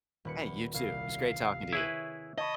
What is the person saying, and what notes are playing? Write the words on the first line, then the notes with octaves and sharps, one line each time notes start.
Hey, you too. It's great talking to you.
D#1 B4 C#7
C2 F5
E4 G#4 B4 C#5 E5
D#5 A5 B5 C#6 G#6